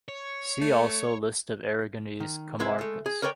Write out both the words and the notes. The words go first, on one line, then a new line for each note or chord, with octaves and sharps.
See also List of Aragonese comarcas.
C#5
A3
D#3
C2 G#3 E4 B4 E5
G#3 A3
G#4
A#4 B4 C#5 D5 G5